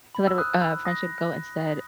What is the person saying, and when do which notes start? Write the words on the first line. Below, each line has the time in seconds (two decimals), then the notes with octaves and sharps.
To let a r uh, friendship go instead.
0.15 B5
0.27 E6
0.38 D#6 F#6
0.61 B5 E6
0.85 D#6 A#6